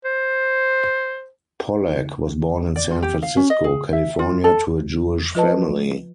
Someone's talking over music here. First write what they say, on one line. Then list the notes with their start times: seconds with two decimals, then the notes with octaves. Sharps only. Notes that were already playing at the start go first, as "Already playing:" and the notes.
Pollak was born in San Francisco, California, to a Jewish family.
0.05 C5
2.76 D5
2.91 F4
3.03 G4
3.23 F5
3.37 C#4
3.50 D#5
3.64 G#4
3.93 E5
4.19 F4
4.44 A4
5.35 F3 F4 B4 D#5 A5